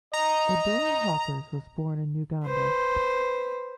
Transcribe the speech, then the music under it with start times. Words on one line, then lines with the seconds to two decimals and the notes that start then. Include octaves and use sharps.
Odora Hoppers was born in Uganda.
0.13 D#5 A#5
2.46 B4 C5